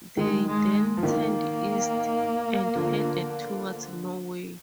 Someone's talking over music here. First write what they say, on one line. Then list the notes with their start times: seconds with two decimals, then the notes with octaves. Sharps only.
They then turned east and headed towards Norway.
0.17 D#3 G#3
0.47 G#3
0.97 F3
1.03 D#3 A#3
2.76 D3 F3